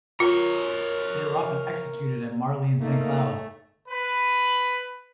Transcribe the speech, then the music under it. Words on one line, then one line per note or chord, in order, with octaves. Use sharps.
They were often executed at Marly and Saint-Cloud.
F4 A#4 C#5
A3 A#3 D#4
B4